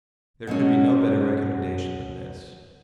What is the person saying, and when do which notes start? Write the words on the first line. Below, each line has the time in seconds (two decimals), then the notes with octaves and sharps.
There could be no better recommendation than this.
0.47 B2 F#3 G#3 C#4